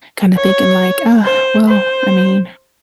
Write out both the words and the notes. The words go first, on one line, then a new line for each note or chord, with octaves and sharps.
kinda thinking like, "Uh, well," I mean,
C#5
C5
C5